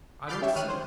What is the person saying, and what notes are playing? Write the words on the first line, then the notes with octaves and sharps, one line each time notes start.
I don't see.
B5 D6 F6 G6 A6 C7
C#4 G4 C#5 E5
D#3 C#5 F6 F#6 D#7
C5